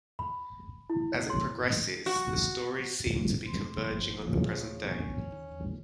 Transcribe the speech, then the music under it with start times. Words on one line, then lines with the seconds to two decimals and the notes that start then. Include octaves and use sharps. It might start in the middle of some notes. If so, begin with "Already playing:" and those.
As it progresses, the stories seemed to be converging on the present day.
0.19 B5
0.90 E4
1.12 C#5
1.30 C6
2.06 F#4
3.46 E1 C5
3.89 G1 A#2 F3
4.20 D#2 A#2 C#3 F3 A3
4.85 A#2 B3 C#4 D4
5.32 D#3
5.51 E2